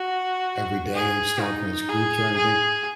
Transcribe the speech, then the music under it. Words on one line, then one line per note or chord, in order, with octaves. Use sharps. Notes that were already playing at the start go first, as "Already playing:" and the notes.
every day and stuff as groups or anything?
Already playing: F#4
G#4
D#4
G#4
G#4